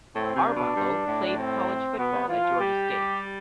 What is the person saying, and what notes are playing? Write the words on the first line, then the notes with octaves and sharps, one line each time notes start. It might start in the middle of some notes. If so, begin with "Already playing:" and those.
Arbuckle played college football at Georgia State.
A2 C4
C3
D4
B2
G2
A2
C4
B2 B3
C3
E3 F4
F3
G3 G4
G3